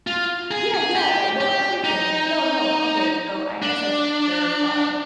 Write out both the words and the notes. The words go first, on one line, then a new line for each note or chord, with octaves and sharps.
Yeah, yeah. Well, everything. No, no. Okay, so, I guess I should clarify.
F4
G#4
G#4
G4
G4
D#4
D4